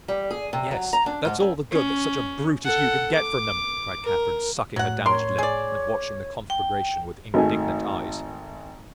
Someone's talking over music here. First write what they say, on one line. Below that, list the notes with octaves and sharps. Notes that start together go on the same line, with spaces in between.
'Yes that's all the good that such a brute as you can get from them!' cried Catherine, sucking her damaged lip, and watching the conflagration with indignant eyes.
G3
G#4
C3
F#3
A#5
D4
G#2
F#2
C#4
A4 F#5
D6
A#4
A2 F#3 F#5
A#4 C#5 C6
G#4 D5
G5
G#1 A3 D#4 G#5